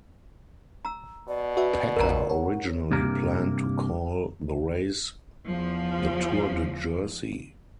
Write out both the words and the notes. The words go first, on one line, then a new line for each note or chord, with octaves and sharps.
Packer originally planned to call the race the Tour de Jersey.
A#5 E6
B2 D5
F#4 B4 E5
A#1 F2 A#4 A5 A#5
C#5 F#5
G2 C3 A#3 A#4
E2 F3